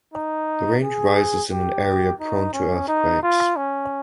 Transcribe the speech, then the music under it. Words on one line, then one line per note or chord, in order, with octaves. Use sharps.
The range rises in an area prone to earthquakes.
D#4
G#4
G4
D#4
C#4
D#4
F4
C#4